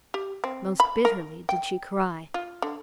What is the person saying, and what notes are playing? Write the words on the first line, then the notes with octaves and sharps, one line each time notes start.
Most bitterly did she cry.
G4
C4
B5
A#4
G5
F4
D3